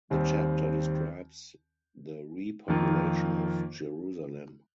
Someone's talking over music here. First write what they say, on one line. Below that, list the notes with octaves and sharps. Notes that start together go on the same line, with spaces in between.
The chapter describes the repopulation of Jerusalem.
D#2 D#3 G3 C4
F2 D#3 A#3 F4